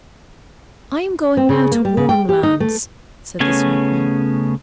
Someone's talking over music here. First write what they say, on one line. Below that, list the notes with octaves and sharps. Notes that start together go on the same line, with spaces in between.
"I am going now to warm lands," said the Snow Queen.
C4
C#3
A#3
G3
C#3
G5
G4
D#4
A3
C#3 A3 B3 C#4 G#5